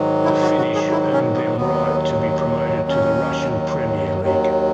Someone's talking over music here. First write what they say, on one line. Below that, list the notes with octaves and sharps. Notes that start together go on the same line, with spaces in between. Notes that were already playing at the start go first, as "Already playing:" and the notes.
This finish earned them right to be promoted to the Russian Premier League.
Already playing: G#2 D#3 F#3
E4
F#4
F#4
G#4
E4
C#4
B3
D#2 D#3 F#3 B3
C#4
D#2 D#3 F#3